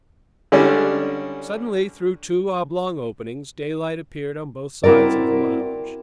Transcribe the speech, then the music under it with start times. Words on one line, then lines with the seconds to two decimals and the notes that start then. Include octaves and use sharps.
Suddenly, through two oblong openings, daylight appeared on both sides of the lounge.
0.52 D3 G3 G#3 C#4 D4
4.84 C4 E4 F#4 A#4 D5